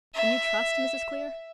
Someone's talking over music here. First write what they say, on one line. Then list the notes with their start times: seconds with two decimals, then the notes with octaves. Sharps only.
"Can you trust Mrs. Clear?"
0.14 E5